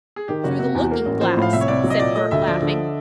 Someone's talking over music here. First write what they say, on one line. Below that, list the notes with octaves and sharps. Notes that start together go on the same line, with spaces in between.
"Through the looking glass!" said Bert, laughing.
G#4
D#3 G4
F#1 F#4
C3 F#4
E2
A#3
A1
F3 C5
A2
F5
C2 E5
C#5
C2 D5
F#3
D#5
A#2 D5
A3 D#5
D2 E5
F3 D5
D3